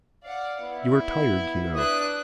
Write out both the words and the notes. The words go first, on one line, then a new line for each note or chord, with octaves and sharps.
You are tired, you know.
D5 F5 F#5
B3 E4
B3
D4 B4 E5 D#6 F#6